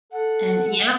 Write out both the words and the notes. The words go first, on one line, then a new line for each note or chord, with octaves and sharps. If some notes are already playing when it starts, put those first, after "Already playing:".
And Yep.
A4 F#5